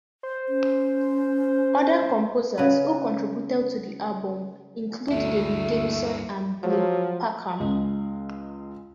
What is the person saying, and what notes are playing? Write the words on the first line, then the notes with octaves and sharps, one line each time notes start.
Other composers who contributed to the album include David Gamson and Blair Packham.
C5
C#4
C#3 B4
D2 G2 A3 E4
F3 F#3
C#2 G#3